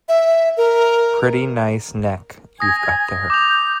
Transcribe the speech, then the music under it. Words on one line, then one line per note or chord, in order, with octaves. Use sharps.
Pretty nice neck you've got there.
E5
A#4
G#5 D#6 G#6 A#6
D6 G6 F7